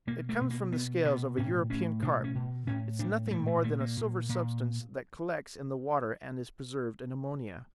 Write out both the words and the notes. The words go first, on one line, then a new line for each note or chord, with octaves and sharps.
It comes from the scales of a European carp, it's nothing more than a silver substance that collects in the water and is preserved in ammonia.
B2 A#3
A3
B2
A#3
B2 B3
B2 B3
A2 C#4
A2 C#4
B2 D4
C#4
B2
A2 C#4
A2 D4
G#3
A#2 A3
A3
A#2 A3
A#3
A#2
A#2